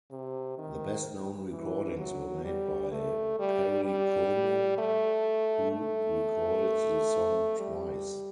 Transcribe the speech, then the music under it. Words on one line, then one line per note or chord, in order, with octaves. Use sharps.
The best-known recordings were made by Perry Como, who recorded the song twice.
C3
D#3
E3
F#3
G3
A3
G3
G3
A3
A3
G3